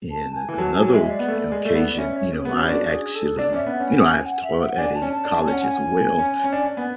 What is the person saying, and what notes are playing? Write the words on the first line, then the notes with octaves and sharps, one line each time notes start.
In another oc occasion, you know, I actually, you know, I've taught at a college as well,
A5
G#5
E3
F#3 A5
G#5
F#3
G#3 E5
D5
B3
A3
G#3
A3
B3
D5
C#4 E5
C#5
G#4
B3 F#4
C#4
E4
D4 F#4
G#4
A4
D4 D5
C#4 E5
B3
F#5
C#4
G#5
G#5
F#5
E5
F#5
D4 G#5
A5
C#4
A5
D4
A5
G#5
C#4
F#5
G#5
C#4
C#4
D4
B3